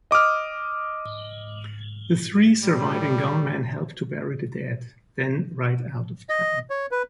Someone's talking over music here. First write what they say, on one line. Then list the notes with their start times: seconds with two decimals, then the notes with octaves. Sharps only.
The three surviving gunmen help to bury the dead, then ride out of town.
0.11 D#5 D6 D#6 F6
2.64 A2 G3
6.29 D#5
6.70 C#5
6.91 B4